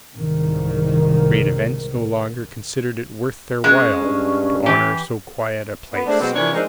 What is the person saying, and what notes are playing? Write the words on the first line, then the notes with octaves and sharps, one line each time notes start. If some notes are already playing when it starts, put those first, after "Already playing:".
Great events no longer considered it worth their while to honor so quiet a place.
C2 G#2 D#3
G#3 C#4
G2
E3 G4
B3
G#3 A3 C4 D4
B2 F#3 G#3 C4
C3 E3 F3 A#3 D4 C#5
F3 G#3 A#3 C4 D4 D#4